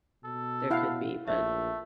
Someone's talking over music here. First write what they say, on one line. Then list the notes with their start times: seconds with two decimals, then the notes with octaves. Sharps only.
there could be, but
0.24 B2 A4
0.71 E4 F5 F#5
1.28 A#1 A3 E5